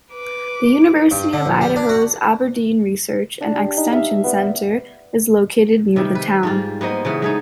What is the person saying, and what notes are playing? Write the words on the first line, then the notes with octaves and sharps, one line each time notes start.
The University of Idaho's Aberdeen Research and Extension Center is located near the town.
B4 D6
G2
D3
A#1
G3
D4
F#4
D4
G4
D#4
E5 F5
B3 D5
C3 D#3 G3
B4
G#2 G3 F4
A#3 B3 C5 D#5
C#3 E3 B3
G#3 A3 D#4